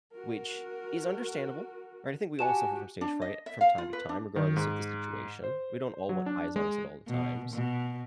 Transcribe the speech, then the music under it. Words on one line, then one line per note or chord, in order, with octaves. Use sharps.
which is understandable, right, I think we all suffer from stage fright from time to time regardless of the situation. We don't all want eyes on us at all the times,
F#4 A#4
F#4 G4 G#5 A5 E7
D4
D#5
E5
F5
F4
B4
D4
D#3
G#2
C5
F#3
D4
G#3
B2
B2